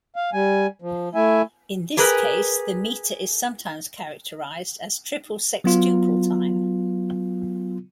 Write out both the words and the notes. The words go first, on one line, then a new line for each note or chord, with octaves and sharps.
In this case, the metre is sometimes characterized as "triple sextuple time".
F5
G3 G#5
F3
A3 E4 E5 G#5
G4 G#4 A#4 B4
F#3 B3 F4